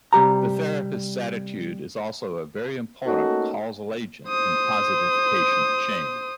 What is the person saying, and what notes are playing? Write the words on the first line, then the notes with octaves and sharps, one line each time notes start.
The therapist's attitude is also a very important causal agent in positive patient change.
C3 G3 G4 A#5
A3 A#3 C#4 D#4 F#4 A4
C5 D#6